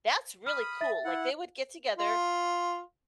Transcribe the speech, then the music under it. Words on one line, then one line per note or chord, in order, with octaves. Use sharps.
"That's really cool," like, they would get together,
B5 D#6 F6
E5 A6
E4 F#5
F4